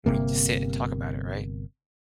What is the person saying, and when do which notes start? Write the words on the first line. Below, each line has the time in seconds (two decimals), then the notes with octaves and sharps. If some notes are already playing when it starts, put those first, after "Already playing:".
we need to sit and talk about it. Right?
0.06 G1 F2 C3 A#3